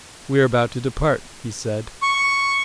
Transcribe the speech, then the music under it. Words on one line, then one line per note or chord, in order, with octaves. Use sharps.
"We're about to depart," he said.
C#6